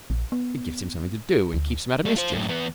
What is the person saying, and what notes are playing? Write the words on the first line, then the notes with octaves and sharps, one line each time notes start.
It gives him something to do and keeps him out of mischief.
A#1
B3
D2
G3 A3
F4 C5
F#2 A2
E2 B3